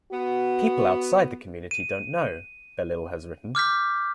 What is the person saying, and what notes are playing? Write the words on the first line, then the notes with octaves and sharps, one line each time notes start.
"People outside the community don't know," Bellil has written.
B3 F#4
D#7
D6 F6 G6 B6